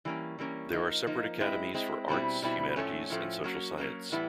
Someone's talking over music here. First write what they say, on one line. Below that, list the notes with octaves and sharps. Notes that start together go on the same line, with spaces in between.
There are separate academies for Arts, Humanities and Social Science.
E3 G3 A#3 C#4
E3 G3 A#3 C#4
F3 A#3 D#4
F3 A#3 D#4
G#3 C4 E4
G#3 C4 E4
B2 G3 C4 E4
B2 G3 C4 E4
A2 F3 A3 C#4
A2 F3 A3 C#4
F#3 A#3 C#4 F#4
F#3 A#3 C#4 F#4
A2 E3 G3 B3 E4